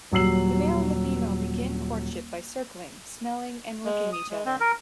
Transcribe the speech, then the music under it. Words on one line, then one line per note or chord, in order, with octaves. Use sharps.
The male and the female begin courtship by circling, smelling and licking each other.
D#1 F#3 G4 E6 C7 F#7
G#3
D#6
G#3
C4
A#4